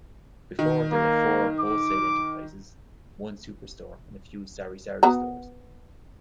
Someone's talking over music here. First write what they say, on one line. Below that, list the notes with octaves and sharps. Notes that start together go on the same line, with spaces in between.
Before, there were four wholesale enterprises, one superstore and few sari-sari stores.
D#3
A#3
D6
B3 F#4 A#5